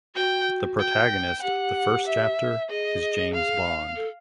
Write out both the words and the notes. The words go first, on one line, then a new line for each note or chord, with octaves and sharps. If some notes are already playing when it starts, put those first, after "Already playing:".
The protagonist of the first chapter is James Bond.
F#4 G5
G5
G4 F#5
E5
G#4 D#5
F5
A4